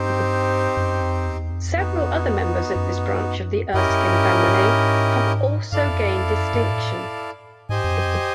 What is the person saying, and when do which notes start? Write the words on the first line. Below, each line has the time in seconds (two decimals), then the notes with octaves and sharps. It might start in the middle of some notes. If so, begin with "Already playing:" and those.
Several other members of this branch of the Erskine family have also gained distinction.
Already playing: G2 C4 D#4 G4 C5
0.77 F#2
1.02 F2
1.27 E2
1.51 F2
1.76 B3 D#4 F#4
2.76 F#2
3.74 F#2 C#4 E4 G4 A#4 D#5
3.90 F#2
4.07 G2
4.24 G#2
4.48 G#2
5.72 G2 E4 A4 D5 F5
5.88 F2
6.05 F#2
6.21 F2
6.38 F#2
6.54 G2
6.71 A2
7.69 G#2 G4 C5 D#5 G#5
7.84 F2
7.94 F#2
8.06 F2